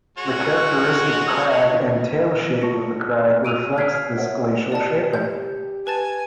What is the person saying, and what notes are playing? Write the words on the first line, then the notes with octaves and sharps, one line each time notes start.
The characteristic crag and tail shape of the crag reflects this glacial shaping.
G#3 F#4 C#5
F4 A5 C#6 A#6 C#7
D#5
D7 D#7 F7
F6 F#6 G#6 B6 C7 D7
A#4 C5 C#5 E5 F#5
G4 D5 A5
G6
B4 G#5 A5 A6